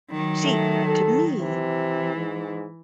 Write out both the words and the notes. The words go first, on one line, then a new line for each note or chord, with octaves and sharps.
See, to me,
D#3 F#3
A3
A4
C3 E3
G#2